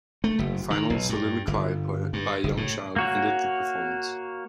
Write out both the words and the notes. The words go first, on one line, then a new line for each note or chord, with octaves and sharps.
A final soliloquy by a young child ended the performance.
A3
F#1
D#3
B1
G2
G1
G2
F#1
A2
A#3 F#4 C#5